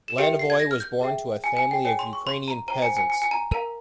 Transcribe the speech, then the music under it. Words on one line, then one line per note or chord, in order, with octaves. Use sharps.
Lanovoy was born to a family of Ukrainian peasants.
E7
G4 A#4 E5 G5 C#7
C7
G#6
A#6
F6
G6
G#4 E5 G5
G#5
G#5
G5
G#4 C#5 G5 G#5
C6
C#6
C6
A#5
C5 G5 A#5
G#5
G#5
G#5
G#5
A#5
A#4 F5 A#5